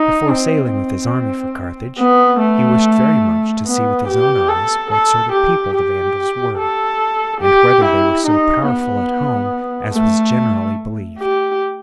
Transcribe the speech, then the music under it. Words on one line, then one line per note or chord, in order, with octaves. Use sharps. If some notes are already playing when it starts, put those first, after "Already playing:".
Before sailing with his army for Carthage he wished very much to see with his own eyes what sort of people the Vandals were and whether they were so powerful at home as was generally believed.
Already playing: D#4
C4
C4
B3
A3
B3
G4
A4
A4
G4
G4
A4
G4
E4
D#4
B3
A3
G4